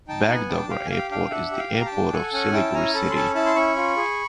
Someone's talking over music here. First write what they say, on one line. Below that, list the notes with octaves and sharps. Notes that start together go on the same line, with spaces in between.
Bagdogra Airport is the airport of Siliguri city.
D#4 G5 A5
B3 F#5 G#5
D4 G5 A5
G4 F5 G5
G#5
G4 F5 G5
D4 F5 G5
D4 E5 F#5
G4
F5 G5
G4
A#5
G5 A5
D4
A4 F#5 G#5
C#4 F#5 G#5
E4 G5 A5
C#4 G#5 A#5
A4 A5 B5
C6
C#4 A5 B5
E4 A5 B5
C6
C#4 B5 C#6
F4
G#4